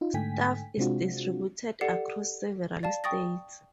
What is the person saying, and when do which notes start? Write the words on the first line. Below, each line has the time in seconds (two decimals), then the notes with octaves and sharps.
Staff is distributed across several states.
0.01 D#4 F4
0.14 G#2 D3 A3 G5 G#5 B6
0.77 C3 G#3 C4 D4 F4 F#4
1.81 G4 A4 D5 F#5 C7 C#7
2.83 D5 F5 A5
3.04 G5 C#6 D#6 A6 A#6